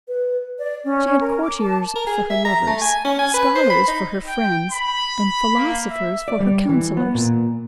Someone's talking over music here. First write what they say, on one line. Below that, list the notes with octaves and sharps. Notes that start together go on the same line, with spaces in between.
She had courtiers for her lovers, scholars for her friends, and philosophers for her counsellors.
B4
D5
C#4
A#4
D6
A5
A#4
G#4
E5
A#5
A3
G#5
C#4
G#5
B4
C5
B5
D#4
G5
B5
A#3
E5
D5
G3
E3
B3
A#2